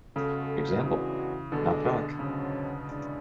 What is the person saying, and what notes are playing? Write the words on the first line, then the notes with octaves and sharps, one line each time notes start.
Example: Knock knock.
C#3 G#3 B3 F#4 A4
A2 C#3 E3 G#3 B3 D4 F#4
B2 D3 G#3 D4 A4
G#2 C#3 F#3 C#4
C#3 E3 G#3 D4